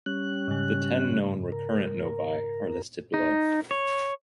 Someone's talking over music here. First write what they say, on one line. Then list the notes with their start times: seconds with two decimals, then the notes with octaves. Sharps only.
The ten known recurrent novae are listed below.
0.06 G3 C#4 F#6
0.48 G#2 C#3
1.52 A#4
3.14 D#4
3.71 C#5